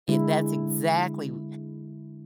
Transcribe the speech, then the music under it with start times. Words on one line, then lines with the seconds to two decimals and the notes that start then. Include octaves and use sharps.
I that's exactly w
0.08 D3 G#3 E4